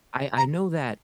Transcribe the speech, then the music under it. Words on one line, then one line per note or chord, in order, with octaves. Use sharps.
I I know that,
A#5